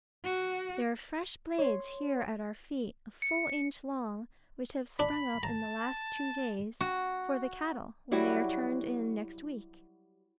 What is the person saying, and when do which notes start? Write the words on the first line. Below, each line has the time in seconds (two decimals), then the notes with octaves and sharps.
There are fresh blades, here at our feet, a full inch long, which have sprung up in the last two days, for the cattle when they are turned in next week.
0.24 F#4
1.58 C#5 C6
3.22 C#7
4.99 D4 B5
5.43 A5 A#5
6.81 F#4
8.11 F#3 G3 E4 F#4